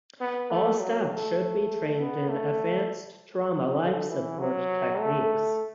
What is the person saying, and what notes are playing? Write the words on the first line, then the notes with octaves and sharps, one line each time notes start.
All staff should be trained in Advanced Trauma Life Support techniques.
B3
A3
F#3
A3
B3
A3
F#3
D3
E3
F#3
A3